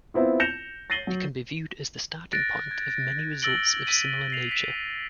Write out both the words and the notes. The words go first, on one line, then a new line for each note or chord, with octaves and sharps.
It can be viewed as the starting point of many results of similar nature.
B3 C4 E4 F4
G6 A#6 C#7 E7 F7
A6 A#6 C7 D#7 F#7 G7
F#3
F#6 A6 A#6 D7
G#6
E6 A6 A#6 D7 F#7 G7
E6 B6 D#7
C7 F7
B6 D7